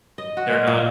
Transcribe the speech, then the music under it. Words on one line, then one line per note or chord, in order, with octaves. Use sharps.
They're not
D#5
F#4
G#3
A#2